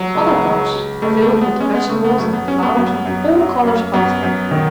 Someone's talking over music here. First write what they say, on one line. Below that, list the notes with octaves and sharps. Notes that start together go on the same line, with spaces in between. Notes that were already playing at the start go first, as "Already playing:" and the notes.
Other boats filled with vegetables and flowers of all colors passed them.
Already playing: F#3
C#2
C#2
F#3
C#2 A3
A3
G#3
B3
G#3 C#4
B3
C#3 A3
B3
F#2 A3
B3
F#3 C#4
B3
F#2 B3
F#2
F#3
F#2
F#2 B3
F#2
D#3